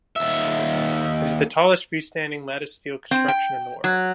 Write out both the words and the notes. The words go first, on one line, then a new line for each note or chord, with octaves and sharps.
It is the tallest freestanding lattice steel construction in the world.
D#2 E5
C4
G5
F#3